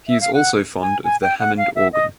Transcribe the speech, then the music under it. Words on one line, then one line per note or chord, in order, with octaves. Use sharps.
He is also fond of the Hammond Organ.
E5
F5
F#5
G#5
G#5
G5
F#5
F5
E5
D#5